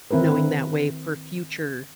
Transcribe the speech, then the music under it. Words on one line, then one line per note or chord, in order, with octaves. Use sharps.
knowing that way for future
D#3 C4 E4 A#4 B4